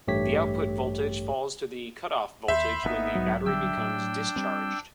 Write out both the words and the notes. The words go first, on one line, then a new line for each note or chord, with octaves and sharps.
The output voltage falls to the cutoff voltage when the battery becomes "discharged".
A1 G2 A3 G4 C#5 B6
D#2 E5 B5 C6 G6
G#1 C#3 A#3 B3 D#4
B1 G#2 F#3
A#1 D3 G3 D4 G5 E6
A2
G3 C4